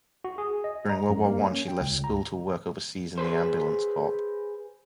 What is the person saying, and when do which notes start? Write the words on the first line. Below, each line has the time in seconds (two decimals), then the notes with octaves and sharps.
During World War One, she left school to work overseas in the ambulance corps.
0.24 F#4
0.38 G#4
0.64 D#5
0.90 A#5
1.10 F#2
1.24 A#3
1.41 C#4
1.68 G5
1.81 C#2
2.04 A#5
3.18 G#4 B4 C5